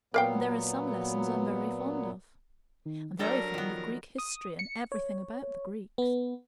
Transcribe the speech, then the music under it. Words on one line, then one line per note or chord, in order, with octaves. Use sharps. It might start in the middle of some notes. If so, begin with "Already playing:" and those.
And there are some lessons I'm very fond of. I'm very fond of Greek history, and everything about the Greeks.
A#2 F#3 B3 A#4 F5 G5
D#3
F#3 G3 D4 A4 A#4 A#5
D#3 F3 B3
D#6
C#7
C#5
B3